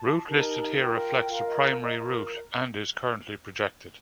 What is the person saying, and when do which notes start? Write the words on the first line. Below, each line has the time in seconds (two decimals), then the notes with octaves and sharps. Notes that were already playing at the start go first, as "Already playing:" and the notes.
Route listed here reflects the primary route, and is currently projected.
Already playing: A5
0.27 D#4 G4 A#4
0.78 F4 A#4 G5
1.29 F4 A#4 F5
1.46 D#5
1.80 F4 A#4 D#5